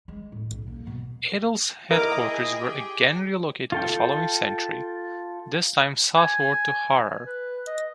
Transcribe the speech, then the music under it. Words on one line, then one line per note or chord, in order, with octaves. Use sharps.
Adal's headquarters were again relocated the following century, this time southward to Harar.
G#3
D2 A2
B1
D#2 A#3
G#2 B2
E4 A#4 D#5 A#5 D6 D#6
G#4 G5
G4
F4 A4 G5
G#5
B4
D#5